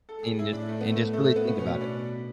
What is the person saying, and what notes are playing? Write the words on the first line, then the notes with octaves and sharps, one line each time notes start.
and just and just really think about it.
A4
A2 G#4
E4
D4
A3
B3
A3
A3
A3
B3
B3
B2 C#4
D4